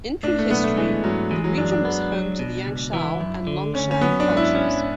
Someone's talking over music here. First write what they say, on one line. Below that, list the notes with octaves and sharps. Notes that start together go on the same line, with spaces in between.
In prehistory, the region was home to the Yangshao and Longshan cultures.
A2 D4
A3
B1 B3
A3
E3 G#3
G#2 F#3
E3 G#3
F#3
F#2 D4
D4
B3
F#3
B2
C#2
E3 E4
F#2
D3
D2 C#4
C#4
F#3 B3
D4
G#2
E4
C#4